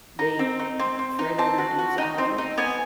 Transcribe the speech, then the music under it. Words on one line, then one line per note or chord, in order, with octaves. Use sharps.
they e further reduce hours?
D#4 A#5
C4
D#4
C4
C4
D#4
C4 A5
F#4
F#4
D#4
C4
D#4
B3 G#5